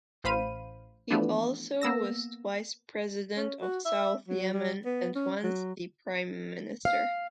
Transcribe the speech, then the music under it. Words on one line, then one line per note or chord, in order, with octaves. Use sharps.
He also was twice president of South Yemen and once the Prime Minister.
A1 C5 F5 B5 D#7
E3 F3 A3 B3 D4
A#3 B3 E6 A#6
C#4
F#4
E5
F#3
G3
B3
C#4
F#3
F5